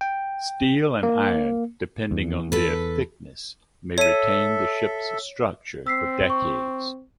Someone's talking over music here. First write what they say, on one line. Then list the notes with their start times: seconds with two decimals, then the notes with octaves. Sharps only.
Steel and iron, depending on their thickness, may retain the ship's structure for decades.
0.01 G5
1.03 A#3
2.11 E2
2.52 A4 B4
3.98 A4 C#5 E5 D#7
5.86 C4 E6 B6 C7
6.30 C#6